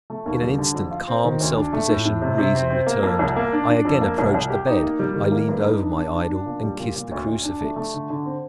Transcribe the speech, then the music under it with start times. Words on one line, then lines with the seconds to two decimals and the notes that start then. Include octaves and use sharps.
In an instant calm, self-possession, reason returned; I again approached the bed; I leaned over my idol and kissed the crucifix.
0.10 A3
0.26 D#2
0.42 G3
0.58 D3
0.74 F2
0.91 F4
1.07 C4
1.24 D#3
1.41 D2
1.56 D4
1.73 A3
1.89 A2
2.05 A2
2.22 C3
2.38 C3
2.55 C4
2.70 C4
2.87 A#3
3.03 F2
3.19 C2
3.36 A#3
3.52 D4
3.69 D4
3.85 F2
4.01 A#3
4.18 C2
4.34 C2
4.50 G4
4.67 D#4
4.83 A#3
4.99 G3
5.16 D#3
5.31 A#3
5.49 G2
5.65 D#4
5.81 D4
5.97 D4
6.14 D4
6.30 D4
6.46 A#2
6.63 G3
6.79 A#2
6.96 A#2
7.12 D2
7.28 D2
7.44 D4
7.61 A3
7.76 A3
7.94 D3
8.10 D3
8.25 C4